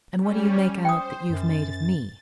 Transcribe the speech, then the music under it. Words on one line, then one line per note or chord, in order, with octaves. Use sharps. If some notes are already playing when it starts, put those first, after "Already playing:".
"And what do you make out that you've made of me?"
G3 C#4
C5 G5 D#6
F#2 A6